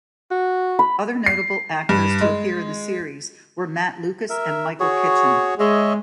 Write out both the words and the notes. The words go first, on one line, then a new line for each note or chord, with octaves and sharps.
Other notable actors to appear in the series were Matt Lucas and Michael Kitchen.
F#4
B5
C7
G2
G#3
A#4 E5
F#4 G#4 C#5
G#3 C#5 D#5 E5